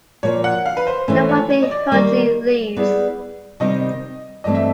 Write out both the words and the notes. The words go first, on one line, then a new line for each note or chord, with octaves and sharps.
The party hurriedly leaves.
A#2 F3 A#3 C#5
F#5
F5
B4
C5
E3 A3 C#4 C5
C#5
C#5
D#5
D5
D#3 G3 A#3
G3 B3 E4 G#4 B4
C3 D#3 G3 C4 D#4 D#5
G2 E3 A3 C4 D#5
E5